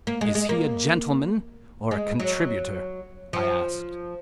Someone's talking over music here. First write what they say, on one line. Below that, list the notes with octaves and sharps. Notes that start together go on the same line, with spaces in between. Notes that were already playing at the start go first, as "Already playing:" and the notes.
"Is he a gentleman or a contributor?" I asked.
A#3
G#3
G#3
A#3
G#3
F#3
F3